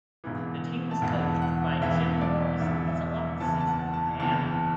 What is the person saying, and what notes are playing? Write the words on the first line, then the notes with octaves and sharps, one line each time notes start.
The team was coached by Jim Morris in his eleventh season at Miami.
E1 E2 E3
A5
E1 E2 E3 F#5
F#5
E1 E2 E3 E5
D5
E1 E2 E3 E5
E5
E5
F#1 E2 E3 A5
A5
F#5
A5
F#1 E2 E3 A5